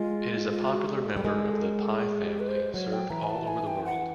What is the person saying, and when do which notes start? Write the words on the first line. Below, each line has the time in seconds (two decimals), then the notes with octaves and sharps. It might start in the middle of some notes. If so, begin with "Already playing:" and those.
It is a popular member of the pie family served all over the world.
Already playing: G#3 F4
0.50 F4
0.68 F#4
0.87 G4
1.06 A4
1.16 G3
1.24 G#3 A#4
1.43 A4
1.62 A#4
1.80 A4
2.00 G#4
2.24 G4
2.39 B4
2.48 C5
2.74 F#3 C#5
2.93 G5
3.10 E3 A#5
3.23 G#5
3.30 A5
3.48 G#5
3.67 G5
3.85 F#5